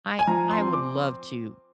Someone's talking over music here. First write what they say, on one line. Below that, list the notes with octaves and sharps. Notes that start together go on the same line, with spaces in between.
I I would love to,
G#5
F3 A#5
C6
C4
D6